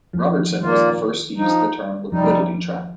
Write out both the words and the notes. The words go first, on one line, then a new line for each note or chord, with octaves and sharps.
Robertson was the first to use the term "liquidity trap".
F2 F3
D#3
A#2 D#3 A#3 F4
F3 D#4
F2 C3 F3 G3 D#4